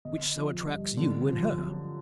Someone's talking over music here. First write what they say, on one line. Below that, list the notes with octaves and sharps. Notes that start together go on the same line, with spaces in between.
Which so attracts you in her.
D3 D#5
F3
G2
D3
F3
F#2